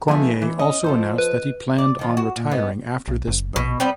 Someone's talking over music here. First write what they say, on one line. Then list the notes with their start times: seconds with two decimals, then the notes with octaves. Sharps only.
Cormier also announced that he planned on retiring after this bout.
0.08 F3 A3 B3 D#4 G#4
0.42 E3
0.59 C#4 D#5
0.84 F3 A4 C5
1.18 B4
1.78 D5
1.99 D#3 F3
2.17 F#4
2.36 A#2
2.51 G#2 B3
3.08 B1
3.27 F#1
3.56 A#1 B2
3.80 G3 B3 C4